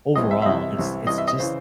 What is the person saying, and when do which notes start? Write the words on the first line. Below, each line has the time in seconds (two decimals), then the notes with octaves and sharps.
overall, it's it's just,
0.15 C2 C3 E3 D#5
0.31 E5
0.42 E5
0.46 C2 C3 E3 D#5
0.77 C2 C3 E3
1.07 C2 C3 E3 D#5
1.18 E5
1.28 D#5
1.38 C#3 E3 C5